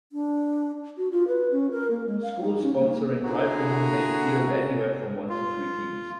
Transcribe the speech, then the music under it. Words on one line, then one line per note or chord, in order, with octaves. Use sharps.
Schools sponsoring rifle may field anywhere from one to three teams.
D4
F#4
F4
B4
C#4
A#4
A#3
G#3
F5
D#4
C#4
A#3
D3 A#3 E4 F#4 G#4 A#5
F4